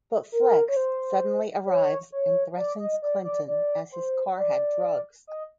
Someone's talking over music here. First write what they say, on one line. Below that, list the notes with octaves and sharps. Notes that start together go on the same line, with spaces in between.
But Flex suddenly arrives and threatens Clinton as his car had drugs.
A#4
C#5
C5
C#5
C#5
D5
D#5
D5
D5
D5
C5
D5
D#5